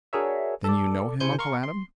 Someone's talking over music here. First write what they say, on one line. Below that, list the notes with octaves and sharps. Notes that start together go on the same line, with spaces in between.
Then you know him, Uncle Adam?
D4 F#4 G#4 A#4 C#5 E5
A4 D5
C3 E4 C5 G#5 G6 C#7
A#4 F5 C6 C#6
C6